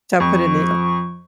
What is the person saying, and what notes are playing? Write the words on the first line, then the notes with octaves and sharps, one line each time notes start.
So I'll put in the oh.
F2 F3 C#6